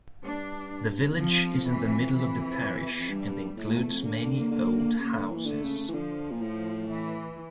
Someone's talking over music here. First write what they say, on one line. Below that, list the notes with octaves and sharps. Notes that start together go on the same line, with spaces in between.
The village is in the middle of the parish, and includes many old houses.
G2 D4
E2
F2 F3
E3
E3
E2
F2
G2 G3
A2 A3
A#2
E2
F2
D3 A#3
D3
C#3
D3
E3
D3 A3
C#3
C#3
E3
D3 F3
A#2
A2 F3
E3